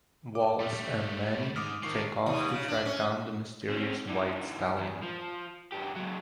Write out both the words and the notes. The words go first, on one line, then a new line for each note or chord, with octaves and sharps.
Wallace and Manny take off to track down the mysterious white stallion.
D6
G3 A3
G#2 D6 D#6 F6
D#3 F3 D4 C#6 C7
D#2
C#3
D4
C#4
C4 C#4
D3 E3
E2
F3
F#2 G4
C#2 F#3